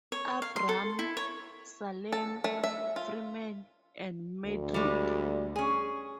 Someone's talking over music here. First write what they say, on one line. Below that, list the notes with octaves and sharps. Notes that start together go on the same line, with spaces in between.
Abram, Salem, Freeman, and Madrid.
C#5
F5
C6
A4
E4
C#5
A4
A3
E5
F4
D2
G3 G#3
C#4 G#4